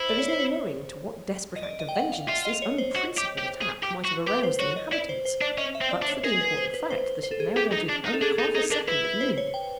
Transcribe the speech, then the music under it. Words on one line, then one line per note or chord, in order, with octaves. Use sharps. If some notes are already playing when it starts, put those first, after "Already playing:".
There is no knowing to what desperate act of vengeance this unprincipled attack might have aroused the inhabitants, but for the important fact that it now wanted only half a second of noon.
Already playing: E4 C5
D5
C#5
C5
C#5
D#5
D5
D#5
G5
F#5
F5
F4 E5
D#5
C#5
C5
F#4
G4
G4
G#4
G4
F#4
G4 B4
C5
F#4 C#5
D#5
E4 D5
C5
C5
D4 D5
C#4 D#5
E5
C4
D5
D4
C#5
G#4 A#4
B4
C5
B4
C5
C5
A4
G#4
G4 G#4
D#4
D4
D#4
A4
D4 G#4
D#4 A4
D#4 G#4
D4 A#4
E4 B4
B4
C5
C#5
G5